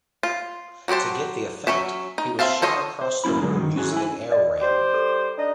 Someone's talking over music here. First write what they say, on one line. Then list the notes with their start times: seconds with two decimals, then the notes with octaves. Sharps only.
To get the effect, he was shot across the room using an air ram.
0.23 F4
0.88 F#3 F#4 G4 C5 A5
1.67 F#3 C#4 C#5 E5
2.18 D#4
2.39 C4 A4 E5 F5 A5
2.62 A4 C5 C#5 D#5
3.01 C5
3.24 F#2 A#3 C#4 E4 B5
3.42 D3 F#3 G#3
3.60 D#3
3.76 C#4 F#4 G#4
3.92 E4 G#5
4.31 D5 D#5
4.61 G3 G4 C5
4.94 A4
5.37 D4 D#4 D#5